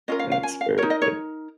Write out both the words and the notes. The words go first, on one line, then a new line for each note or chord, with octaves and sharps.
That's very good.
C#4 F4 A#4 D#5
F5
F5
G#5
F5
D#4 A#4 C#5
D#5
C#5